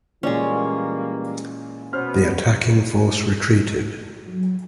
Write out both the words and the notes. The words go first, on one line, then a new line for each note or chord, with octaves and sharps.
The attacking force retreated.
A#2 E3 G3 G#3 A#3 C#4 D5 G#5
B2 B3 C#4 C5 F6
F#3